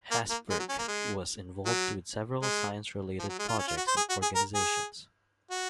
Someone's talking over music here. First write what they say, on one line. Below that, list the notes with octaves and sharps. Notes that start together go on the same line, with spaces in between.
Hesburgh was involved with several science-related projects and organizations.
A#3
A#3
G#3
F#3
C#4
A#3
G#3
F#3
G#3
F3
F#3
G#3
F4
C#4
F4
F#4
C5
G#4
F#4
G#4
A#4
G#4
F#4